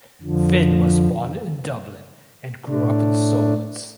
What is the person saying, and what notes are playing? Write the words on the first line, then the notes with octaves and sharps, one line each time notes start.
Finn was born in Dublin and grew up in Swords.
F2 D3 F3
A2 A3 D4